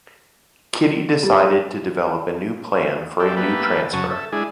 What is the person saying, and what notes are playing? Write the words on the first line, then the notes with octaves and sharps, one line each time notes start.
Kidde decided to develop a new plan for a new transfer.
G3
G4 D5 E5 A5
A#3 B3 G4 A4 B4 E5
F#2 C#3 F#3 A5 C#6
A4 E5
G#3 D4 E4 G#4